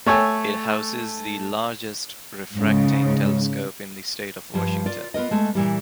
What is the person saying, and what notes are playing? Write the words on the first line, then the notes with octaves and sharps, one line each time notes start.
It houses the largest refracting telescope in the state of Washington.
A3 C#5 G#5 E6
G#2 C#3
G2 F3 G3
F4 A#4 D5
B3 F4 A#4 D#5
G#3 A3
A#2 E3 G3